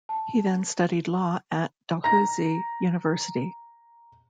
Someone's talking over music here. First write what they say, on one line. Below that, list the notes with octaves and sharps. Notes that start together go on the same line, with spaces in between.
He then studied law at Dalhousie University.
A5
A#5 A#6